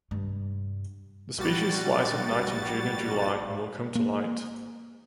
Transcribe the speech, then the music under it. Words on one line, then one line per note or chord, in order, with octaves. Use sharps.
The species flies at night in June and July and will come to light.
G2 C3
A#1 G3 F#4 A6
A#3